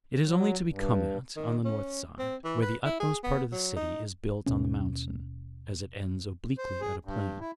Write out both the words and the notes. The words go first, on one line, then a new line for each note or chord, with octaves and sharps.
It is only to be come at on the north side, where the utmost part of the city is built on the mountain, as it ends obliquely at a plain.
F#3
G2
D#3
C#4
C4
E3
B4
E4
G#4
B3
F#3
D#4
D#2 B2 C#4
C5
G#4
G2
E4